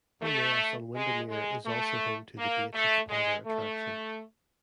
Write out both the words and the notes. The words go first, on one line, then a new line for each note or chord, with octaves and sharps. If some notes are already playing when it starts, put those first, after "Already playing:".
Bowness-on-Windermere is also home to the Beatrix Potter attraction.
A3
G#3
G#3
A3
A#3
A3
G#3
A3